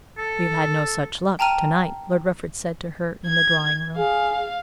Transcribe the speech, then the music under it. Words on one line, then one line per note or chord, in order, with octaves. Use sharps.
"We've had no such luck to-night," Lord Rufford said to her in the drawing-room.
A4
G5 A5 A#5 F6 D#7 E7
G#6
G#4 F5